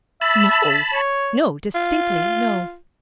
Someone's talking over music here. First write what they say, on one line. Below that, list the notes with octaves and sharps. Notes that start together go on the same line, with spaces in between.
"No, no--distinctly no."
E5 A5 B5
C#5
F4